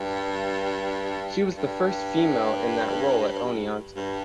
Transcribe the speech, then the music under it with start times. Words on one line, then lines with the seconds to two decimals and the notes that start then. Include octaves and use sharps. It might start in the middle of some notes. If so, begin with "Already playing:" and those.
She was the first female in that role at Oneonta.
Already playing: G2
1.57 G2
3.96 G2